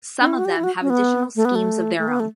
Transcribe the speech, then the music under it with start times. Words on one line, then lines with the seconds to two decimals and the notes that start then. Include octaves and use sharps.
Some of them have additional schemes of their own.
0.21 D4
0.26 E4
0.38 F#4
0.45 G4
0.57 E4
0.64 F#4
0.81 C#4
0.90 B3
1.36 A3
1.45 B3
1.55 A3
1.98 A3
2.08 B3
2.20 A3